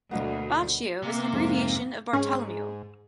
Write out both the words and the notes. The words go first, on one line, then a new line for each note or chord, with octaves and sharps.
Baccio is an abbreviation of Bartolomeo.
D2 B2 A#3 B3
C3 A#3
F2 G#2
G#2 C#4 G#4